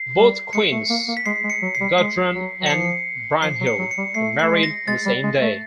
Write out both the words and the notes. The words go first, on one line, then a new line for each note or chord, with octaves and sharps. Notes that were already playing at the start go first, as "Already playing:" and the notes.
Both queens, Gudrun and Brynhild, were married on the same day.
Already playing: C7
G3
G#3 C#7
A3
A#3
A#3
B6
G#3 C7
G#3
C#7
F#3
C7
G3
G#3 C7
F#3
F#3
C#7
F3 C7
F3 C7
F#3
C#7
F#3
C#7
G3
A3 C7
A3 C7
G#3
A#6
G#3 A6
G3
G#3
A3